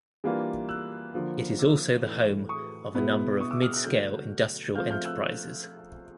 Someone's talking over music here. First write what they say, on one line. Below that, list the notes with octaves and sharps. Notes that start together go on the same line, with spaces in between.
It is also the home of a number of mid-scale industrial enterprises.
E3 G3 A#3 D4 F4
E6 F#6
D3 F3 A#3
D6 E6
A2 E3 A3
C#6 D#6
B2 G#3 B3 E4
C#6 D#6
D6 E6
D#6 F6
E6 F#6
D3 F#3 A3 F6 G6
F3 A3 C4 F4 F6 G6
F6 G6
E6 F#6